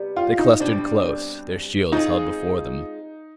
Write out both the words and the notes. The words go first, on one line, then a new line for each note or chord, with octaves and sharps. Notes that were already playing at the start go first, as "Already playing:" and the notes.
They clustered close, their shields held before them.
Already playing: C3 G3 B3
F4
D#4
B2 G3 C4 D4
G#3 C4 D#4 F4 G#4